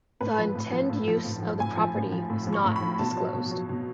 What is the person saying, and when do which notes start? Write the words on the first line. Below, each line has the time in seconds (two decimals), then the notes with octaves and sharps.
The intend use of the property was not disclosed.
0.21 A2 B4
0.38 F3
0.55 A2
0.72 F3
0.90 A2
1.08 F3
1.25 A2
1.43 F3
1.60 A2 G#5
1.77 F3
1.95 A2
2.12 F3
2.30 A2
2.47 F3
2.53 C#6
2.64 A2
2.76 B5
2.82 F3
2.99 B2 A5
3.17 F#3
3.34 B2
3.51 F#3
3.69 B2